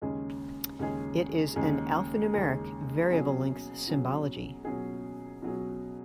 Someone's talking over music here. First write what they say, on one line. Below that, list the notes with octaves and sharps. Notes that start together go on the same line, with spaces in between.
It is an alphanumeric, variable length symbology.
D#2 C#3 G#3 C#4 G#4
D#2 C#3 G#3 C#4 G#4
D#2 C#3 G#3 C#4 G#4
D#2 C#3 G#3 C#4 G#4
B2 F#3 C#4 G#4
B2 F#3 C#4 G#4
B2 F#3 C#4 G#4
B2 F#3 C#4 G#4